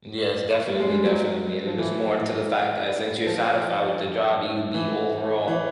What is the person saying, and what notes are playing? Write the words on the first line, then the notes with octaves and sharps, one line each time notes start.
Yes. Definitely, definitely, and it just more into the fact that since you're satisfied with the job, you'll be overall
G3
G#3
G3
F#3
F3
E3
F3
E3
E3